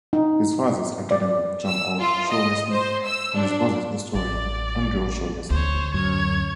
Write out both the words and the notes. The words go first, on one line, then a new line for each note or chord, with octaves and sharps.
His father is academic John O'Shaughnessy and his brother is historian Andrew O'Shaughnessy.
D#4
D5
E6
F4
D#5
C5
E6
D4
A1 D5
D2 C5 C#5
F#2 C#5 G#6